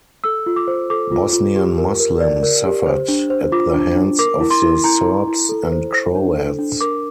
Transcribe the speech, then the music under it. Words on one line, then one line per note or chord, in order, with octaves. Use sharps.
Bosnian Muslims suffered at the hands of the Serbs and Croats.
A4 E6
F4
D6
C5
A4 D6
F4
F4
G4
A#4
A#4
D5
A#4
G4
C5
D4
C5
F4 D6
D4
D4
A#4 D6
E4
C6
E4
E4 A#5
E4
E4
A4
C5
C5
D4
A4
D4
A#4 D6